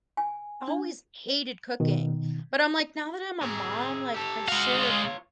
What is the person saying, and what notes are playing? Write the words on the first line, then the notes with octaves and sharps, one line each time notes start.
always hated cooking, but I'm like, "Now that I'm a mom, like, I should,
G#5
D4
B2 D#3
C4 G#4
G4 A4
G#3 F#4 F5
F4 C#5